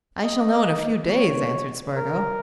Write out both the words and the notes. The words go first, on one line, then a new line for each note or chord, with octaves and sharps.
"I shall know in a few days," answered Spargo.
D#5
C#5
A#4